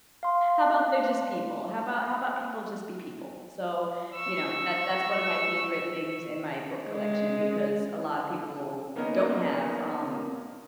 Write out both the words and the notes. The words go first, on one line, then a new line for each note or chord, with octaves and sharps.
"How about they're just people? How about how about people just be people?" So, you know, that that's one of my favorite things in my book collection because a lotta people don't have, um,
F5 C6
C#6 E6
G#3
A#3 B3 C#4 D#4 A#4 D#5